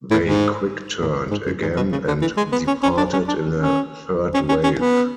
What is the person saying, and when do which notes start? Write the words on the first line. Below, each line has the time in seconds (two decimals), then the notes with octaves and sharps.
They "quick-turned" again and departed in a third wave.
0.11 A2
0.25 G#2
1.02 A2
1.31 G#2
1.46 F#2
1.62 G#2
1.77 B2
1.92 C#3
2.07 D3
2.21 E3
2.37 G#3
2.52 B3
2.67 C#4
2.83 C#4
2.97 D4
3.13 C#4
3.28 D4
3.58 C#4
4.34 C#4
4.49 C#4
4.63 C#4
4.79 B3